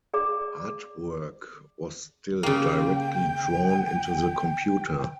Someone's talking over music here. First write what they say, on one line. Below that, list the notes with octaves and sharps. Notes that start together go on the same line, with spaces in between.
Artwork was still directly drawn into the computer.
G#4 D5 A#5 D6
C#3 A#3 G5